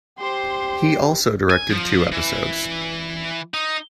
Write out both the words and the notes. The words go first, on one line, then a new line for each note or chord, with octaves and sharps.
He also directed two episodes.
G4 C5 C6
G#5
F3
E3
D#4